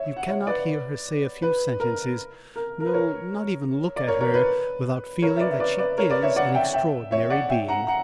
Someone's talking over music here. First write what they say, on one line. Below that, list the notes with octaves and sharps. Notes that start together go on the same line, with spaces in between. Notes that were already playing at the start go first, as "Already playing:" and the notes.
You cannot hear her say a few sentences--no, not even look at her, without feeling that she is an extraordinary being.
Already playing: C#5 E5
F#5
C#5 E5
B4 D5
B4
A#4
A#4
A#4
B4
A#4 C#5
D5
A#4 C#5
A#4 C#5
B4
A#4 C#5
E5
B4 D5
E5
B4 D5
B4 D5
A#4 C#5
B4 D5
C#5 E5
D5 F#5
E5 G5
E5 G5
C#5 E5
D5 F#5
E5 G5
F#5 A#5
F#5 A#5